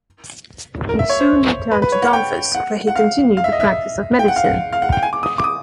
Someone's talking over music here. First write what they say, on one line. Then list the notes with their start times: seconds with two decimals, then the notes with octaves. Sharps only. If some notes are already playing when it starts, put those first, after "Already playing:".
He soon returned to Danvers, where he continued the practice of medicine.
0.89 A#4
0.99 E5
1.10 C#5
1.20 C5
1.71 B4
1.82 B4
1.92 C#5
2.02 F#5
2.13 G5
2.55 F#5
2.87 F#5
2.96 F5
3.37 F5
3.44 E5
3.52 D#5
3.60 E5
4.19 G5
4.28 F#5
4.36 F5
4.44 F#5
4.73 F5
4.82 F#5
4.92 G5
5.03 G#5
5.13 D6
5.23 D#6
5.38 D6
5.44 D#6